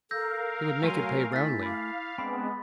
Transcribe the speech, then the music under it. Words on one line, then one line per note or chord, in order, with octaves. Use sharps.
He would make it pay roundly.
A4 A#4 F5 E6 G6 A#6
F#3 A3 G#5 C6
E4 A6 B6
F5 B5 D6
G#3 B3 C4 D4 B5